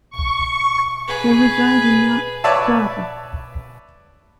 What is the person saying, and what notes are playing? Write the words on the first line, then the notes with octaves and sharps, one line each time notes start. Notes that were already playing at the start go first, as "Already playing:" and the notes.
They reside in New Jersey.
C#6
G#4 B4
B4 C#5 D5 E5 A5